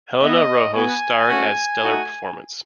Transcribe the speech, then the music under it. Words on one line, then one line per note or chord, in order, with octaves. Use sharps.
Helena Rojo starred as stellar performance.
B3 E4 D#5
B3 F#4 G#5
A3 C#4 F#4
A3 D#4 F#4